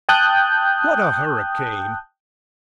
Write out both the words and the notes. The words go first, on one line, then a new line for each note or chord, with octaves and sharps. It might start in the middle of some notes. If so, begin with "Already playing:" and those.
What a hurricane!
G5 A5 D#6 F#6 G6